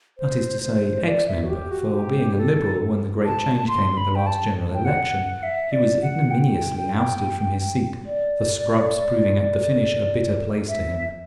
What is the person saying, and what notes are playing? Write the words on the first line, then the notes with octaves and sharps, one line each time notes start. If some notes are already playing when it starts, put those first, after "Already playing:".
That is to say, ex-Member; for, being a Liberal when the great change came at the last general election, he was ignominiously ousted from his seat, the Scrubbs proving at the finish a bitter place to him.
C5
C5
D5
E5
F#4
G4
F#4
G4
A4
A5
C6
B5
G5
A5
G5
F#5
F#5
E5
D5
F#5
G5
D5
E5